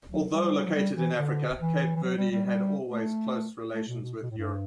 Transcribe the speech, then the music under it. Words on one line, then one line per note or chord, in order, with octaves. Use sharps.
Although located in Africa, Cape Verde had always close relations with Europe.
F#3
G3
F#3
G3
E3
D3
E3
E3
F#3
G3
G3
G3
A3
A3
B2
B2
B2
A2
G2